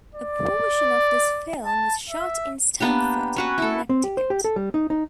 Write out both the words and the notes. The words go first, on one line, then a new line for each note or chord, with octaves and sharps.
A portion of this film was shot in Stamford, Connecticut.
D5
A5
E5
A#3 B3 D4 G4
C#4 F#4 B4
E4 A4
C4
G4
C5
G4
A4
G3
D#4
D#4